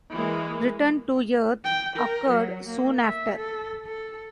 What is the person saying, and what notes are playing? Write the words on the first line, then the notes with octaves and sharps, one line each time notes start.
Return to Earth occurred soon after.
E3 G#3 A#3
G5
A#4
F#3
A#3
E5
A4
A4